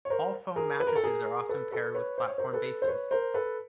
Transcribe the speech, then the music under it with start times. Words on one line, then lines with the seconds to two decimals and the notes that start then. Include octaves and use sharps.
All-foam mattresses are often paired with platform bases.
0.05 C#5
0.10 A#4 C5
0.56 G#4 A#4
0.80 B4
0.87 A#4
0.95 A4
1.04 G#4 A#4
1.49 A4 B4
1.71 A4 B4
1.95 B4 C#5
2.18 C5
2.28 C#5
2.38 A#4 C5
2.53 A4 B4
2.82 C5
2.88 B4 C#5
3.11 A#4 C5
3.34 A4 B4